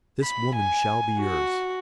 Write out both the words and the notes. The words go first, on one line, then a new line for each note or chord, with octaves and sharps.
This woman shall be yours.
B5
G#5
F#4